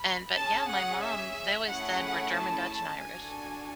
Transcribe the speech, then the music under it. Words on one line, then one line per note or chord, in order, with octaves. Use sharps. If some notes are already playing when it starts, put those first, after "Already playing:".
And but, yeah, my mom they always said we're German, Dutch, and Irish,
Already playing: B5
C#4 G#4 A5
F#5
E5
A3 C#4 E4 G#4 F#5
A5
D4 F#4 A4 G#5